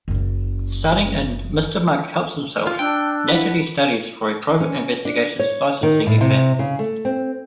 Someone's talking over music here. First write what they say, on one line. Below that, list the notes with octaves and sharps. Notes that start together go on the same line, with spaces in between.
Starting in "Mr. Monk Helps Himself", Natalie studies for a private investigations licensing exam.
F#1 C#3
F4
D4 G5 A5 E6 F#6
E4 B4 F#5
C#4
D4
C#5
D#3
A2
C3
C#3
A3
C4